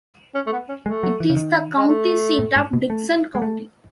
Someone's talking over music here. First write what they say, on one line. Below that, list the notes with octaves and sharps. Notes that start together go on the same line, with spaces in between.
It is the county seat of Dickson County.
C#4
A3
B3
C#4
G#3 A3
F#3
E3
C#3
D#3
G#3
A3
A2
G#2
B2
A3
G#3
A3